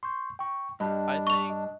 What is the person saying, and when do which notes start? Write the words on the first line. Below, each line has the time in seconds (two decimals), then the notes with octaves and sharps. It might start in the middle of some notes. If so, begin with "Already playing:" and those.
I think
0.03 C6 C#6 G6
0.39 G5 C#6
0.80 G2 D4 D#5 B5
1.27 C#6 F7
1.50 D#5